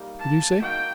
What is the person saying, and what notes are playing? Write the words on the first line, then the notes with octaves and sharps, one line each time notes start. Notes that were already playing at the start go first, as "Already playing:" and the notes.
"What did you say?"
Already playing: G3 A#3 D#4
A5
A#3 D#4 F#4 G5